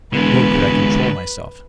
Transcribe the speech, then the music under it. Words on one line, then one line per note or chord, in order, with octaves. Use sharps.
Nor could I control myself.
E1 D3 G#3 B4